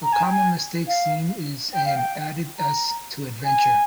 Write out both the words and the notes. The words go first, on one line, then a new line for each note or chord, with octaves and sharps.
A common mistake seen is an added 's' to 'Adventure'.
A#5
G#5
G5
G#5
F5
G5
F5
G5
A#5
G#5